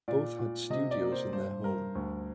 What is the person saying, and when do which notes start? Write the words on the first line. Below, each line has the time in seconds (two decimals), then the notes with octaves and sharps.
Both had studios in their home.
0.08 A#2 D5
0.39 A#2
0.70 C3 D#5
0.91 D5
1.01 A#3
1.12 C5
1.33 G2 C5
1.64 G2 A#4
1.95 D2